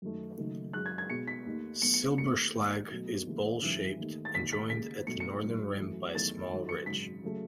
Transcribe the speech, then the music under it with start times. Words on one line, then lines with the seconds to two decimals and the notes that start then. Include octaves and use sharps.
Silberschlag is bowl-shaped and is joined at the northern rim by a small ridge.
0.02 F#2 D#3 A3
0.38 F#1 F#2 D#3 A3
0.73 F#2 C#3 G#3 F#6
0.86 G#6
0.98 G#6
1.10 B1 B2 G#3 C#7
1.27 B6
1.46 D#2 D#3 A3
1.82 B1 B2 A3 C#7
1.94 C#7
2.18 D#2 D#3 A3 C#7
2.54 D#2 D#3 G#3
2.91 B1 B2 F#3 A3
3.26 D#2 C#3 E3 A3
3.62 G#1 F#2 C#3 E3
3.98 D#2 D#3 A3
4.25 A6
4.34 E1 D#2 D#3 B6
4.53 B6
4.70 D#2 C#3 G#3 B6
5.07 B1 B2 F#3 A3 C#7
5.20 C#7
5.43 G#1 G#2 F#3
5.79 F#2 E3 A3
6.15 E2 D#3 F#3 A3 A6
6.51 F#2 D#3 F#3
6.69 C#7
6.86 G#1 F#2 C#3 B6
7.23 C#3 F#3 A3